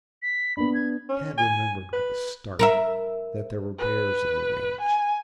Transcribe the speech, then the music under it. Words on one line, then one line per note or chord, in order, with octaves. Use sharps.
Tad remembered with a start that there were bears in the range.
B6
B3 D4 B5
G#6
C#4
G#5
B4
A#4 B4 E5
B4
G#5